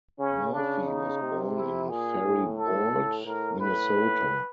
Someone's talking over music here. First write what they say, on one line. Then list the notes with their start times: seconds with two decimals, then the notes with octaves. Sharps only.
Murphy was born in Faribault, Minnesota.
0.19 C#3 C#4
0.53 C#3 D4
0.87 D#4
1.21 C3
1.55 E4
1.89 A#2 G#4
2.24 A2
2.57 A4
2.91 A2
3.25 A2 A#4
3.60 A2 B4
3.94 A2